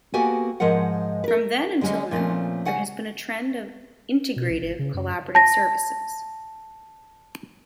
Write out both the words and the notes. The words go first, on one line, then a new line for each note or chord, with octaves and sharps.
From then until now, there has been a trend of integrative collaborative services.
A#3 B3 F#4 G4 A4 G#5
G#2 F3 G#3 A#4 F#5
A#4 B4
D3 G3 G#3 C#4 G#4
A#2 F3 A3 C4 C#4
C#3 F#5 G#5
B2
A#1
G#1
C#3
F#2
A5 A#6